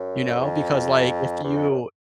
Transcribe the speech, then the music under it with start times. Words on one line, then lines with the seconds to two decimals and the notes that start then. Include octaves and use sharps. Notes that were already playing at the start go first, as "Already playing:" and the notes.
You know, because, like, if you
Already playing: F#2
0.39 E2
0.45 F2
1.44 E2
1.56 F2
1.69 F#2